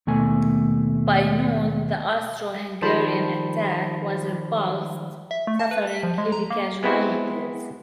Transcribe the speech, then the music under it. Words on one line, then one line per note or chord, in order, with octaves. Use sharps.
By noon, the Austro-Hungarian attack was repulsed, suffering heavy casualties.
D#2 B2 A3 G#5
D#3 F3 G3 C5 A5 B5
E5
A3
A5
B4
B6
F3
G#3
A#5
A#3
G#3 B3 C4 E4 F#4 C5